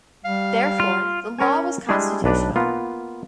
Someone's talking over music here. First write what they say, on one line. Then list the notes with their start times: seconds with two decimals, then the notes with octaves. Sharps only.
Therefore, the law was constitutional.
0.25 G3 F5
0.80 F4
1.39 C#4 A#4 C#5 G#5
1.89 G3 G#3 D4 E4 G#4
2.24 B1 D4 B4 D5
2.56 A#3 B3 F4